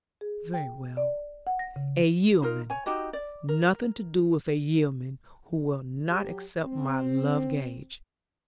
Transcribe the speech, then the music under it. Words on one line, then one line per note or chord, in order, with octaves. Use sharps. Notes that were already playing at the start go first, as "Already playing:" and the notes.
'Very well, a yeoman--nothing to do with a yeoman who will not accept my love-gage.
G#4
G5
D5
F#5
A#6
C#3
D#4 F4 A#4
C#5 G#5
D#4 F#4 G4 D#5
D5
A#4
F#3 G4
C4